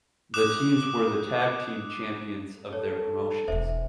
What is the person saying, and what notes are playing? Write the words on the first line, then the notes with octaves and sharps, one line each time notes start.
The teams were the tag team champions of their promotions.
D6 D#6 F#6 E7
A4 C#5
E1 E2 C5 E5